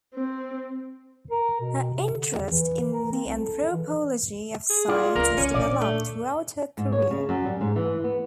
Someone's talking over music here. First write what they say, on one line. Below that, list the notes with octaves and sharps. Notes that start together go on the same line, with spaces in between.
Her interest in the anthropology of science has developed throughout her career.
C4
A#4
B2
C3
D3
E2
E3
A#4
C4
C2
A4
E3
G#4
F4 D5
C#2 A#4
C#2 C#4
A#2 D3 D5
A3
G#2
C#5
C#3
F#2
G3
G#2
E3
B3